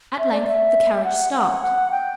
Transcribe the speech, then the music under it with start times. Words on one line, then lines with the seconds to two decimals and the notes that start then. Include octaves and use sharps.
At length the carriage stopped.
0.19 E5
0.32 D5
0.48 E5
0.94 E5
1.04 F#5
1.33 F#5
1.62 F#5
1.91 G5